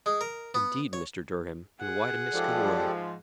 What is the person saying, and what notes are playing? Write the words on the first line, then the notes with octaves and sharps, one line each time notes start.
"Indeed, Mr. Durham; and why to Mrs. Gilroy?"
G#3
A#4
B3
C#5
G#4 F#5
G#2 F3 G4 A4 D5